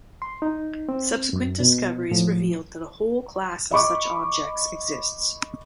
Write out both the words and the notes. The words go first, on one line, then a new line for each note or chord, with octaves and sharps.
Subsequent discoveries revealed that a whole class of such objects exists.
C6
D#4
C4
F#2
B2
A2 F3
D#5 B5 C#6 D6